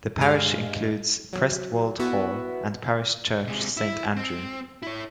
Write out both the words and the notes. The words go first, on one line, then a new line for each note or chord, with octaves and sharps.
The parish includes Prestwold Hall and parish church Saint Andrew.
G2 G#3 F5 F6
F#3
B3 E4 F#4
C3 G#3
E4
C4
E4 C#5